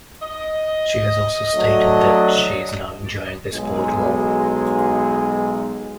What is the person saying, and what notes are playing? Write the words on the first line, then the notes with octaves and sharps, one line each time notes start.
She has also stated that she is now enjoying the sport more.
D#5
F#3 A3 D4
B1 G#3